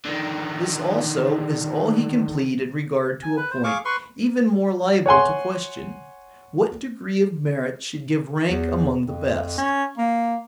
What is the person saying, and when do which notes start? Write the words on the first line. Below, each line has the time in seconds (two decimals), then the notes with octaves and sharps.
This also is all he can plead in regard to a point even more liable to question;--what degree of merit should give rank among the Best.
0.05 D3 D#3
3.23 G#5
3.37 B4
3.51 C5
3.64 G#4 F5 C#6 D6
3.85 B4 C6 C#6
5.06 C#5 F#5 G#5 C6
8.49 E2
9.06 F2
9.57 C#4
9.98 A#3